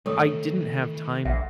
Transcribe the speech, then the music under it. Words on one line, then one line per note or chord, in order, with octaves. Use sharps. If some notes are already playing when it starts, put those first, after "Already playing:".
I didn't have time
D#3 E3 A3 A4 C#5 D#6
A#1 E5 F#5